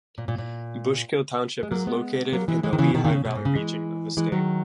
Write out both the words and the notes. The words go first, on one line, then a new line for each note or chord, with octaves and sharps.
Bushkill Township is located in the Lehigh Valley region of the state.
A#2
A#2
A#2
G#3
F#3 A#3
G#3 B3
F#3 A#3
E3 G#3
E3 G#3
D#3
C#3 E3
B2 D#3
D#3
C#3
B2
G#2
C#3
E3 G#3
E3 G#3
D#3 F#3